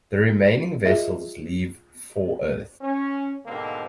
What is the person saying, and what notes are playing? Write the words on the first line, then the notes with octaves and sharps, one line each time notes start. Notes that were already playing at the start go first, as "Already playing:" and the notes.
The remaining vessels leave for Earth.
F4 G#4 D#5 E5
C#4
G#2 B2 D3 A#3 C4